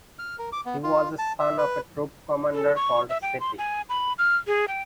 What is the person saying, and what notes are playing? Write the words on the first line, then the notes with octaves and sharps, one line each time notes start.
He was a son of a troop commander called Seti.
F6
A#4
D6
B3
F4
A5
E5
B4
A4
C#6
E5
G5
C6
G#5
B5
F6
G#4
G5